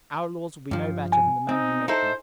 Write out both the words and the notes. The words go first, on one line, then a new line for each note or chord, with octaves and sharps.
Our laws will be no better than the men who make them.
G2 F3
G#5
C4 D#4
D#4 E4 A4 C5